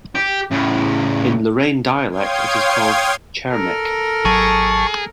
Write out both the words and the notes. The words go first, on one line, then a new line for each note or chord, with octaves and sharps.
In Lorraine dialect it is called "Chermec".
G4
A2 C#3
C#5 F5 G5 C6 D#6 G#6
A4 A#4 F6
G#1 F#3 G#4 A5 C#6